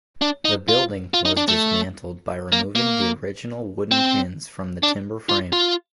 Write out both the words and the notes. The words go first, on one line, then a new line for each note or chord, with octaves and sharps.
The building was dismantled by removing the original wooden pins from the timber frame.
D4
D#4
F4
F4
D#4
D4
A3
A#3
A#3
C4
D4
F4
F4